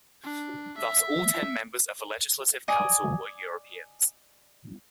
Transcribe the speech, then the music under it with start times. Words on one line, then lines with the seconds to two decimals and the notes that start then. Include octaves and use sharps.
Thus all ten members of the Legislative Council were Europeans.
0.23 D4
0.78 E5
2.68 D5 D#5 G#5